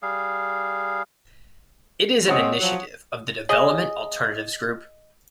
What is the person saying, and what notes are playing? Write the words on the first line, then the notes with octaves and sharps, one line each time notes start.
It is an initiative of the Development Alternatives Group.
G3 G#4 F5
G#3 C4 C#5 F#5 D#6
F3 F#3
G#4 D#5